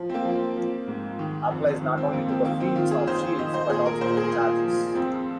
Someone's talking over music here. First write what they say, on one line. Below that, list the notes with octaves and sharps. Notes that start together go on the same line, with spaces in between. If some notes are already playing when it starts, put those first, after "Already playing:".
Applies not only to the fields of shields but also to charges.
Already playing: F3
C4
A#3
F3
C4
F3
G#2
D#3
F2
D#3
C4
F2 A#3
C4
D#3 A#3
C4
D#3 F4
G#4
D#3 C5
D#3 D#5
C5
A#2 G#4
A#4
A#2 C5
G#4
A#2 F4
F3
F2 C4